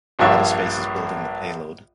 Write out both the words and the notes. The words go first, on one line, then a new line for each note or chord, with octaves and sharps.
Eta Space is building the payload.
A#1 G2 A#3 C#5 E5